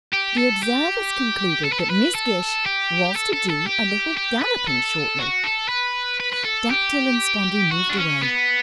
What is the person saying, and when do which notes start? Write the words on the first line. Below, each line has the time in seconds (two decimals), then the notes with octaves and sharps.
The observers concluded that Miss Gish was to do a little galloping shortly. Dactyl and Spondee moved away.
0.13 G4
0.38 A4
0.63 G4
1.64 A4
1.72 B4
1.80 A4
1.90 B4
2.15 A4
2.66 G4
3.16 A4
3.33 A4
3.50 A4
3.67 G4
4.17 G4
4.42 B4
4.68 A4
5.19 F#4
5.44 A4
5.69 B4
6.20 B4
6.33 B4
6.45 A4
6.71 G4
7.71 F#4
7.90 D4
7.97 C#4
8.22 B3